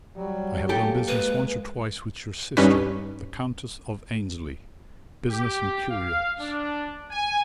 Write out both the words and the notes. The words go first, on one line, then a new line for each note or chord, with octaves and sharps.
I have done business once or twice with your sister, the Countess of Aynesley--business in curios.
F#3 G3
A#3 G4 A4 G5
G#3 B4
G2 C#4 D#4 B4
G4
F5
D4
G#5